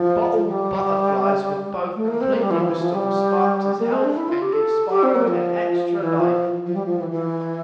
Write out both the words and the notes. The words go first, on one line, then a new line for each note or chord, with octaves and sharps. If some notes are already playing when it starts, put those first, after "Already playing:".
Bottled butterflies will both completely restore Sparx's health and give Spyro an extra life.
Already playing: F3
G3
A3
A#3
C4
A#3
G3
E3
F3
E3
F3
G3
A#3
C4
D4
E4
F4
G4
A4
G4
C4
A#3
F3
E3
F3
F3
G3
F3
E3
E3